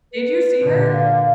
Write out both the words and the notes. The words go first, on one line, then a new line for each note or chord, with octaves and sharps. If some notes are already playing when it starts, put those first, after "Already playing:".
Did you see her?
B4
A#2 D3
F5